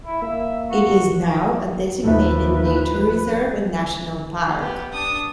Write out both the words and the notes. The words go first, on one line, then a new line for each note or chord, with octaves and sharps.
It is now a designated nature reserve and national park.
E4
A#3 E5
F#4
D#2 F3 A3 B4 E5
B3 G4
D4 D#6